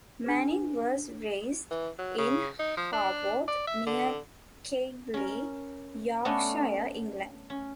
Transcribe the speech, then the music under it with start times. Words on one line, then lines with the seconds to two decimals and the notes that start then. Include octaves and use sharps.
Manning was raised in Haworth, near Keighley, Yorkshire, England.
0.24 D4 G#4 B4
1.71 E3
1.99 F#3
2.18 C#3
2.59 D#4
2.77 F3
2.93 D4
3.48 D5
3.67 E5
3.87 D3
5.14 C#4 A#4
6.25 A3 B3 C#4 D4 C#5 D#5
7.50 C#4